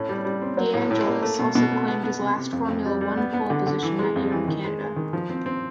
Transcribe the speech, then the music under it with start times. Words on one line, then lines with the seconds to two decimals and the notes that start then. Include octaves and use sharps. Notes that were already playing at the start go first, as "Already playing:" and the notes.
De Angelis also claimed his last Formula One pole position that year in Canada.
Already playing: A2 C#4
0.09 G3
0.25 G3
0.42 C4
0.57 F#3
0.74 A2
0.91 A2
1.06 A#3
1.22 A3
1.39 B2
1.55 B2
1.71 A3
1.88 B3
2.03 B3
2.21 C3
2.36 C3
2.53 F2
2.68 F2
2.85 G3
3.01 G3
3.17 B3
3.34 B3
3.50 D3
3.67 D3
3.83 E3
3.99 G#3
4.16 F2
4.32 E3
4.48 D#3
4.64 G#3
4.81 G#3
4.96 D#3
5.13 F3
5.30 C4
5.46 C4